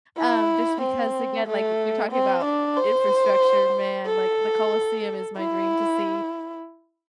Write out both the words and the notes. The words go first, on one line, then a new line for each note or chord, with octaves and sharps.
Um, just because, again, like, you're talking about infrastructure, man. Like, the Colosseum is my dream to see.
E4
C4
A3
C4
D4
C5
A4
E4